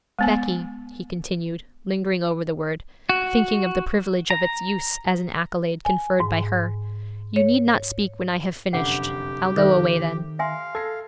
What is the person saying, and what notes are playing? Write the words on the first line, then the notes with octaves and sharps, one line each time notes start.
'Becky,' he continued, lingering over the word, thinking of the privilege of its use as an accolade conferred by her, 'you need not speak when I have finished; I'll go away then.'
G#3 B3 G#5
F#4
A#5
G#5
G#2
C#5
F1 F#2 D3 G4 F#5
D#3 A4 C5 E5
E5 F5 G#5 C6
A4 G#6 A#6 C7